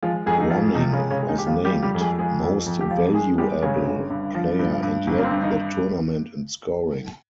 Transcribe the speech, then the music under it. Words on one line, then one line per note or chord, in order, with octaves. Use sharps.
Ronning was named Most Valuable player and led the tournament in scoring.
F3 G#3 F4
F2 G#3 G#4
D#4
F3 F4
C3 D#3 D#4
C#3 C#4
G#3
C#3 C#4
G#3
D#3 D#4
G4
F2 F3 F4
G3 G4
F3
G3 G4
F2
G#3 G#4
F3 G#3 G#4
F2
F2
G4
F3 F4
G#3 G#4
G3 G#3 G4
G1 C#3 C#4
G1
G2
F3
G2
G2
G1
A#3
C4
G2
D#3 D#4